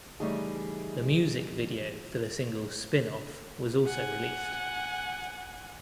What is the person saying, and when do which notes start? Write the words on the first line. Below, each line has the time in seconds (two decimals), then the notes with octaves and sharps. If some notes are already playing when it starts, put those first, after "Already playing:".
The music video for the single "Spin Off" was also released.
0.20 C#3 E3 G3 A3 D#4 G#4
3.87 F#5 G#5